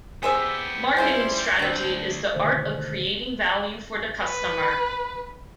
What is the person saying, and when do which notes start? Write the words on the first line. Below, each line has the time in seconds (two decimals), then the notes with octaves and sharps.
Marketing strategy is the art of creating value for the customer.
0.23 B3 G4 G#4 C5 E5
0.97 G3 G#3 C#4 E4 F4 C5 C6
1.42 G6
1.59 D2 C4 D4
2.34 B2 D3 D#3 A3 A4 C5
4.20 B4